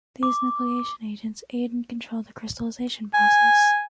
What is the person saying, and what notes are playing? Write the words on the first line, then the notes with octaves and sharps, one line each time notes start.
These nucleation agents aid and control the crystallization process.
D6
G#5